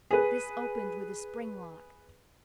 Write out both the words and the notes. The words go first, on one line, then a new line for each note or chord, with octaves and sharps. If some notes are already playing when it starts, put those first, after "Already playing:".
This opened with a spring lock.
G#4 B4